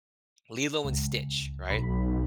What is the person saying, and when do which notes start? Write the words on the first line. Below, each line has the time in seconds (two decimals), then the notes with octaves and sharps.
Lilo and Stitch, right?
0.85 C#2
1.70 B1 B5